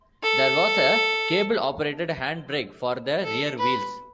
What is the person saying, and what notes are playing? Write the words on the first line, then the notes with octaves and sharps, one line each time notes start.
There was a cable-operated hand brake for the rear wheels.
A4
A4
B4